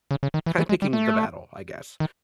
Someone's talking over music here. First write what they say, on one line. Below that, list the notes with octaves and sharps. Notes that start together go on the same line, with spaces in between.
kinda picking the battle, I guess.
C#3
C#3
D#3
E3
E3
G#3
G3
A3
D#3